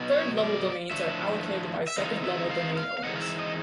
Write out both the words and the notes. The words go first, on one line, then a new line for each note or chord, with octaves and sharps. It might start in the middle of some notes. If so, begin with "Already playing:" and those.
Third level domains are allocated by second level domain owners.
Already playing: B2 F#3 B3
C#5
D5
A2 F3 A3 D4 E5
E5
E3 G#3 C4 D#4 F5
E5
F5
F5
F5
E3 G#3 C4 D#4 F#5
F5
E5
D#5